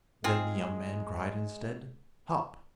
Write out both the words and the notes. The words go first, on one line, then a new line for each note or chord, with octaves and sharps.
Then the young man cried instead, 'Hop!
G#3 C4 F4 G#4